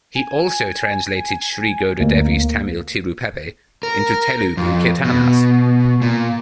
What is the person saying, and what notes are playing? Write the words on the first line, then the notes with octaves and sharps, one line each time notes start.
He also translated Sri Goda Devi's Tamil Tiruppavai into Telugu Keertanaas.
G#5
D2 A#3
A#4
F2
B2
A#2